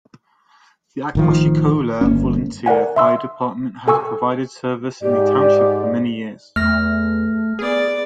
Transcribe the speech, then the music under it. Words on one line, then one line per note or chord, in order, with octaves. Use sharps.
The Aquashicola Volunteer Fire Department has provided service in the township for many years.
A1 D#3 F3
G1 A#3 C#4
A#4 D5 F#5 G#5
E5 C6 E6
A4 G#5 C#6 E6
G#2 G4 D5
E2 A3 F6 A#6
B3 G#4 D5